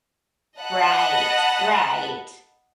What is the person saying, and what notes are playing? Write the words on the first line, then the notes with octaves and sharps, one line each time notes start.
Right, right.
D#5 F#5 A5 B5 F#6